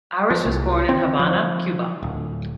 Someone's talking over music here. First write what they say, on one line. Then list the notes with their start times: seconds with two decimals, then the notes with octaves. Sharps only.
Aris was born in Havana, Cuba.
0.30 F3
0.45 C2
0.89 C4
1.19 F3
2.03 D1